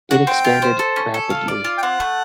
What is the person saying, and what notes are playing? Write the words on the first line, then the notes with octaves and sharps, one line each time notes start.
It expanded rapidly.
F#4 F#5
C4 G5
F4
C5
A4
C#4
A4
F4
D5
F4
G5
C4 F#5
A3